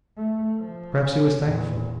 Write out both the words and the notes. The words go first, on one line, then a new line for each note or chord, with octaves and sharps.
Perhaps he was thankful.
A3
F3
C#4
E2 A#2